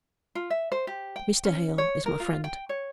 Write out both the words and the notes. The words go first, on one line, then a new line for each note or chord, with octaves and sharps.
Mr. Hale is my friend.'
F4
E5
C5
G4
G5
C#4
C#5
A#4
F4
G5
C#5